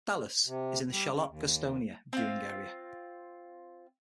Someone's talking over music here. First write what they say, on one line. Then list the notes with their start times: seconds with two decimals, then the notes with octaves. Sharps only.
Dallas is in the Charlotte-Gastonia viewing area.
0.46 C3
0.90 G3
1.12 C#3
1.28 D#2
2.13 C4 F4